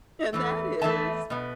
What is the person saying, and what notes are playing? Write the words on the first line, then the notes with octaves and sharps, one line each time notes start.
and that is
E2 E3 A3
E2 E3 A3 E5 A5
B2 B3